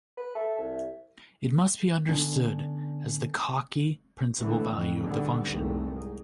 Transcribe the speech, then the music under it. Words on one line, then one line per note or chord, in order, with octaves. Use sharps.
It must be understood as the Cauchy principal value of the function.
B4
A4 E5
C2
D3 B3 C#4 D4
A2 D3 E3 A3 B3
F2
D2 G#2 D3 G3 B3
F1 C2 G#2 A3
G#2